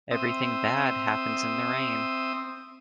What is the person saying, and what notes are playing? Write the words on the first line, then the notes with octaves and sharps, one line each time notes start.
Everything bad happens in the rain.
C4 E5 D#6